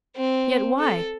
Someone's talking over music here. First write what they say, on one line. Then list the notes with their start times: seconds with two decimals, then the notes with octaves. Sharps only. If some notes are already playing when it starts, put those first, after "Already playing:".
Yet why?
0.16 C4
0.79 A4